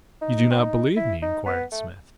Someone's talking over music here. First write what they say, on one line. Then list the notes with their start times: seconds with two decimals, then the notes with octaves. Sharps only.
"You do not believe me?" inquired Smith.
0.21 D#4
0.51 C4
0.59 D#4
0.96 E4
1.22 D#4
1.46 B3
1.72 A3